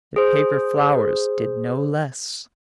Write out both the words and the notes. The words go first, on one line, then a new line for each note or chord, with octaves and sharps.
The paper flowers did no less.
G#4 C5